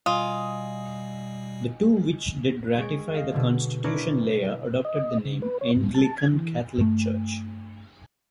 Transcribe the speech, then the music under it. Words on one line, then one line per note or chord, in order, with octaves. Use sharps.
The two which did ratify the constitution later adopted the name Anglican Catholic Church.
B2 G3 F4 D#5 G#5 D#6
G#3 C#5 D7
D#5 F5
B2 D3 F#3
D4 E4 A#4 B4 C#5
D#5
C#3
B4
C#5
G#2
A5
G#6
E3
G2 A3